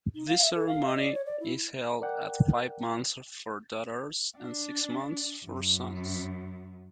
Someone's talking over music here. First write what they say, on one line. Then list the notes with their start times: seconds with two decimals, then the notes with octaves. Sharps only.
This ceremony is held at five months for daughters, and six months for sons.
0.15 D#4
0.28 F5
0.42 E5
0.55 A4
0.67 F5
0.86 D#5
0.99 D5
1.14 C#5
1.26 D5
1.40 E4
2.01 A#4 D5 F#5 G5
4.39 D4
5.45 F#2